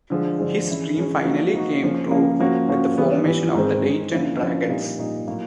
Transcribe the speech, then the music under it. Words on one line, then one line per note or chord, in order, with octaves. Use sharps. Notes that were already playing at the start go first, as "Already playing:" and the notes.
His dream finally came true with the formation of the Dayton Dragons.
D3 F3 G#3
D3 F3 G#3
E3 G#3 C#4 E4
E3 G#3 C#4 E4
F3 A#3 D#4 F#4
F3 A#3 D#4 F#4
C#3 F3 A#3 C#4
C#3 F3 A#3 C#4
F3 A#3 C#4 F#4
F3 A#3 C#4 F#4
E3 G3 B3
E3 G3 B3
G#2 D#3 G#3 C4
G#2 D#3 G#3 C4
D3 F3 A#3 C#4 E4
D3 F3 A#3 C#4 E4
A#2 G3 A#3 D#4
A#2 G3 A#3 D#4
A2 F#3 A#3